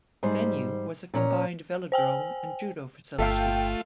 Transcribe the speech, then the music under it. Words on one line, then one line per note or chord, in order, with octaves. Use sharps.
The venue was a combined velodrome and Judo facility.
G#2 G3 C5
A#2 C#4 A#5
C5 G5 G#5
G1 A3 F4 A4 E5 F5 G5